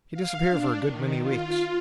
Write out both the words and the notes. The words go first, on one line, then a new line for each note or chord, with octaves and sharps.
He disappeared for a good many weeks.
F5
D4
D#3
F4